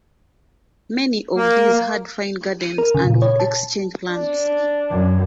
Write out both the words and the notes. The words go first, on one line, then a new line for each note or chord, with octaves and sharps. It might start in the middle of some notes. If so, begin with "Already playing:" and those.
Many of these had fine gardens and would exchange plants.
A#3
D#7
A#4
C#3
A#2
C#5
A5
D4
F#2